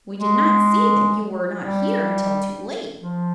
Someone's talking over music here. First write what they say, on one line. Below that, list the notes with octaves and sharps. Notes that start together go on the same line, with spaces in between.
We did not see that you were not here until too late.
G#3
G3
F3